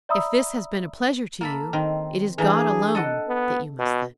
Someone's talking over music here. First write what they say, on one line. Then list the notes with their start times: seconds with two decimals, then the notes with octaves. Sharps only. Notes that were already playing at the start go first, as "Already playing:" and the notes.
"If this has been a pleasure to you, it is God alone that you must thank."
0.09 D5 E5 A#5 B5 D#6 E6
1.41 A#3 A4 B5
1.73 D#3 C4
2.38 E3 A#3 D4 G#4
2.95 A4 D#5 F#5
3.28 B3
3.79 B2